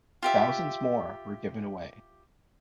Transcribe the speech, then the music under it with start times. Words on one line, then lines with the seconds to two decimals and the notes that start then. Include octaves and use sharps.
Thousands more were given away.
0.22 F4 G4 E5